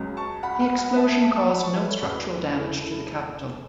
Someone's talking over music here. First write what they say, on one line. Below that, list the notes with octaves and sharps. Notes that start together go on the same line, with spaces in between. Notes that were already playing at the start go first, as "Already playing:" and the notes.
The explosion caused no structural damage to the Capitol.
Already playing: C#2 C#3 F#3
A5 C#6
F#5 B5
F#5 B5
F#5 B5
E5 A5
E5 A5
E5 A5
A5 C#6
F#5 B5
A5 C#6
B4 E5
A4 C#5
E1 E2 C#3 F#4 B4
E4 A4
E4 A4